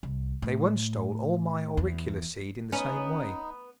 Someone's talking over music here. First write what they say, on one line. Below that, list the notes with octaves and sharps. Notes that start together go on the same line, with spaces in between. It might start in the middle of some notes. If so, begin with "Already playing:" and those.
They once stole all my Auricula seed in the same way.
C2
A2
E2
B3 C#4 D#4